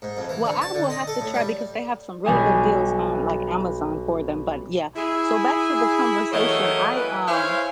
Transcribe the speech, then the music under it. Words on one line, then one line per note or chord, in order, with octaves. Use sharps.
Well, I will have to try because they have some really good deals on, like, Amazon for them, but yeah, so back to the conversation, I um,
G#2
F2
E3
D3
A5
D3
D#5
A4
A2
G3
B1 G3 G#5 D#6
E4 G#4
E3 F#3 A3 A#3 C#5 D#5
E3 B4
E4 G#4 C5 C#5 F5